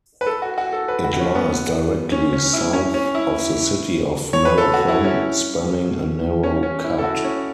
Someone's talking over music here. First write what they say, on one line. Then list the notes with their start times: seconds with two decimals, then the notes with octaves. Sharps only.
It lies directly south of the City of Marathon, spanning a narrow cut.
0.21 B4
0.27 A4
0.42 F#4
0.58 F#4
0.73 A4
0.88 B4
1.04 F#4
1.20 C#4
1.35 B3
2.12 C#4
2.33 C#4
2.53 E4
2.73 C#4
2.94 C#4
3.15 E4
4.33 C#5
4.45 B4
4.58 A4
4.74 F#4
4.88 E4
5.04 C#4
6.43 C#4
6.63 C#4
6.84 E4
6.99 A4
7.04 F#4
7.24 C#4